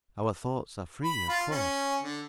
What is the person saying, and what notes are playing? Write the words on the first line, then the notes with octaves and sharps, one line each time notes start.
'Our thoughts are free, of course.
B5
F4
C#4
D3